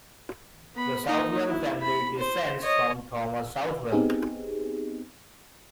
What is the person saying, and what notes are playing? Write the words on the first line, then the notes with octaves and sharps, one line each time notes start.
The Southwell family descends from Thomas Southwell.
B3 B5
A#3 D#4
E4
B5
C5
C#5 D#5
B3 C4 D#4 G4 G#4